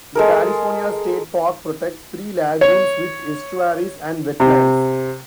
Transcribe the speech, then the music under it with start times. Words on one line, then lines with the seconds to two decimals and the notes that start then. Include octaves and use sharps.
The California state park protects three lagoons with estuaries and wetlands.
0.15 G#3 A4 A#4
2.61 C#5
4.40 C3